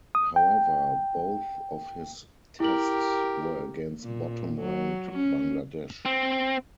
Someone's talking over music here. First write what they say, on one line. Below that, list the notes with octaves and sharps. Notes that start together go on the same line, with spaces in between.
However, both of his Tests were against bottom-ranked Bangladesh.
D#6
G5
E4 G4 A#4 F#7
A#2
F#3
C#4
C4